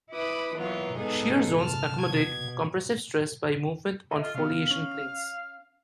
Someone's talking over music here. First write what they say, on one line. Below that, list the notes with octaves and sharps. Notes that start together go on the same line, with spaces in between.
Shear zones accommodate compressive stress by movement on foliation planes.
E4 B4 B5 D6 D#6
E3 F#3 A#3 B3 F4
G#3 B3 D#4 G#4 A4
A5 F6
B2 G#6
A4 D#5 E5
F4
C#3 B3 F5
C#4